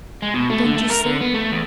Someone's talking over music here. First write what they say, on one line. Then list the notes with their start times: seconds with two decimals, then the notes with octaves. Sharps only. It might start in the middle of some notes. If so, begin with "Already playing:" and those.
Don't you see?
0.22 G#3
0.34 B2
0.50 A3
0.64 D3
0.76 A3
0.90 A#4
1.05 D3
1.21 B3
1.34 A3
1.52 E2